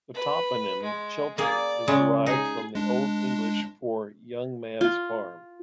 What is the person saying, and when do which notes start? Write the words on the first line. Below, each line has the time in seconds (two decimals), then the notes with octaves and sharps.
The toponym "Chilton" is derived from the Old English for "young man's farm".
0.15 B4
0.82 G#3
1.38 A#3 G#4 D5
1.88 C#3 G#3
2.26 D#4 G#4
2.75 G#3 D4
4.81 F4